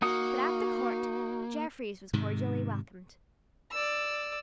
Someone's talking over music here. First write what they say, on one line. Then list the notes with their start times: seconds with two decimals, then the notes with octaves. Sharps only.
But at the Court Jeffreys was cordially welcomed.
0.02 A#3 D#4 F#4 F#5 D#6
2.13 G#2 C3 D#3
3.72 D5 E6